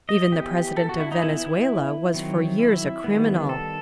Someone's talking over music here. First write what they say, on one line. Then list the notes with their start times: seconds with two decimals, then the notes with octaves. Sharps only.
Even the president of Venezuela was for years a criminal.
0.09 D#5
0.32 E3 B3 G4
0.77 A4
0.89 F#4
1.00 E4
1.12 D#4
1.22 E3 B3 E4
1.46 E4
2.14 D#3 F#3 C4
2.59 E4
3.04 D#3 G3 B3
3.49 A4